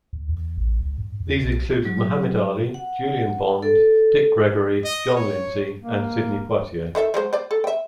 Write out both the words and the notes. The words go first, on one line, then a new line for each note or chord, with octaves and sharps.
These included Muhammad Ali, Julian Bond, Dick Gregory, John Lindsay and Sidney Poitier.
D#2
E2
A1
C#2
G2
E2
B1
F#3
F#5
A4
D#5
C#5
A#3
D#3 A4 E5
F#3 G#3 C5
C5 D5
A4
E5 G5